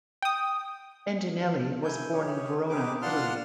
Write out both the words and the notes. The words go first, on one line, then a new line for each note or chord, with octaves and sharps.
Bendinelli was born in Verona, Italy.
G5 D#6
E4 G#5 G6
C#4 G4 G#4 C#5
C4 D#4 G4 G#4 B4 D6
D4 F4 F#5 A5 C6 F6